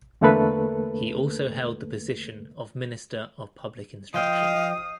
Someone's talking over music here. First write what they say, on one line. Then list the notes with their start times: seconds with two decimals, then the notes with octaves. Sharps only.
He also held the position of Minister of Public Instruction.
0.21 E2 D3 A3 A#3 A4 B4
4.14 F3 D#5 F5 G5 D#6